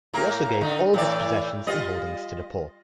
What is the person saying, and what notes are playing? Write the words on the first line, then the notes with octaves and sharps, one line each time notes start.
He also gave all of his possessions and holdings to the poor.
A2 A#3 A#4
D3 D#4
A2 E3 D5
G3 F4 D#5